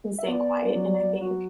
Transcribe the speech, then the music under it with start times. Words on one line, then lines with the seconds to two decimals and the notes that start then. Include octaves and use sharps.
and staying quiet, and I think,
0.18 E5
0.27 B3 D5
0.75 F#3
1.21 F#4